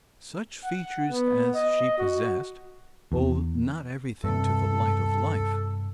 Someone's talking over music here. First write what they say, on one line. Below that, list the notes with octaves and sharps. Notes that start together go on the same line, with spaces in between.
Such features as she possessed, owe not everything to the light of life.
F#5
B3
D#5
F#4
E2
G2 C3 A4